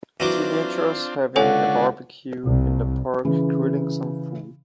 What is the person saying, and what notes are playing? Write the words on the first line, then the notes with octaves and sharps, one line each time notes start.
Teenagers having a barbecue in the park grilling some food.
E3 F#3 C4 D4 F4 D6
C#2 D3 C#4 D4 A4 C#5 F#5 G#5
C2
C#3 E3